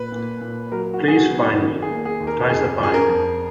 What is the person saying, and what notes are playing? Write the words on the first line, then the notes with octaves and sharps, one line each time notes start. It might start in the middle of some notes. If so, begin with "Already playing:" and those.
Please fine me, Ties That Bind.
Already playing: A#2 B4
A#2
A#2
F#3 A#4
F#4
F#3
G#4
F#4
B3
D#4
D#3 D#4
G#4
A#3
G#4
D#2
A#4
F2 G#4
F3 G#4
A#4
F2